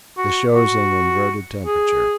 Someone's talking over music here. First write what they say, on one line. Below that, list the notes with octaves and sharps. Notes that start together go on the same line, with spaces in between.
This shows an inverted temperature.
F#4
F#4
G#4